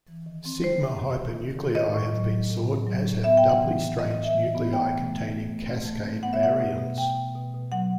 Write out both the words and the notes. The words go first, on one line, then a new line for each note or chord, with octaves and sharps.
Sigma hypernuclei have been sought, as have doubly-strange nuclei containing Cascade baryons.
E3
D#3
C4
G3 C5
C4
C4
D#3
D#3
D#3
A2 D#5
A2
F#3
F#3
A2
C4
F#3
A2
B3 E5
G5
B3
F#5
E3
E3
A2 D#5
D#5
A2
E5
E3
B3
A3 G5
E3
A3
A3
A3
C4
A3
C4
B3 F#5
E5
G3 F#5
B2
B2
B2 G5
B2
B2
B2
F#3 F#5